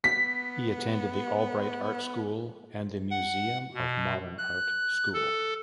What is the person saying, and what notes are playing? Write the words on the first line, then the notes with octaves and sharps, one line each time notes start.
He attended the Albright Art School and the Museum of Modern Art School.
B3 B6
F#5
B2
F#6
A4